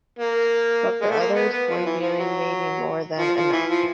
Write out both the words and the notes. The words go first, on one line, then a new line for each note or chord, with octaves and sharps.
But for others, one viewing may be more than enough.
A#3
G#3
A3
A#3
B3
B3
F3
E3
F3
F#3
F3
F3
E3
F3